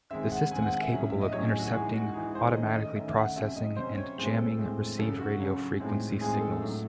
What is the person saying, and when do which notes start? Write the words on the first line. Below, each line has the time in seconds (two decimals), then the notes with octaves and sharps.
The system is capable of intercepting, automatically processing and jamming received radio frequency signals.
0.11 D#3 G#3 C4 E5
0.32 F#5
0.51 D#3 G#3 C4 G#5
0.62 F#5
0.72 F#5
0.82 E5
0.92 A2 F#3 C#4
1.10 E5
1.21 D#5
1.33 A2 F#3 C#4 C#5
1.47 G#4
1.59 F#4
1.74 E3 G#3 D#4 G#4
1.94 F#4
2.14 E3 G#3 D#4 G#4
2.35 C5
2.54 D#3 A3 C#4 D#5
2.75 D#5
2.95 D#3 A3 C#4 E5
3.10 E5
3.17 F#5
3.36 C3 F#3 C#4 E5
3.56 D#5
3.76 C3 F#3 C#4 C5
3.98 C#5
4.18 A2 G#3 C4 C5
4.38 A4
4.58 A2 G#3 C4
4.99 C#3 F#3 C#4 A4
5.19 F#4
5.39 C#3 F#3 C#4
5.80 A2 G#3 C4 D#4
6.21 A2 G#3 C4 D#4 G#4
6.41 A4
6.62 A2 F#3 A3